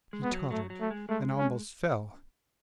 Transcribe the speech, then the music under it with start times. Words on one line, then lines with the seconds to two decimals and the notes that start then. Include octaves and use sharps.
He tottered and almost fell.
0.13 G#3
0.23 B3
0.31 F#3
0.51 F#3 A3
0.70 F#3
0.80 A3
0.91 G#3
1.09 G#3 A3
1.38 C#4